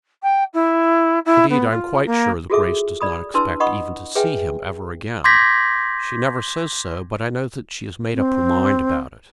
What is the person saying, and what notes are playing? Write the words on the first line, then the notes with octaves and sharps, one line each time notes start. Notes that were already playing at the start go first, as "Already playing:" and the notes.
Indeed I am quite sure that Grace does not expect even to see him ever again. She never says so, but I know that she has made up her mind about it.
G5
E4
E4
B3
F4
A#3
F4 F#4 G#4 A4 E5 D6
D5 B5 D#6
D4 E4 B4 A5 C6 E6
D#5 F#5 B5 C#6 D#6
G#4 B4 C#5 E5 G5 G#5
C6 D6 G6 G#6 A#6 B6
C4